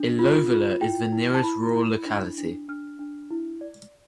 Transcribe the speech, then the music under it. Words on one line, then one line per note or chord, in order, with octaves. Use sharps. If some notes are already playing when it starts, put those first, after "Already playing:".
Ilovlya is the nearest rural locality.
Already playing: D4
F4
F4
E4 G5
E4
A5
E4 B5
E4
D4
D4
D4 F6
D4
E4
D5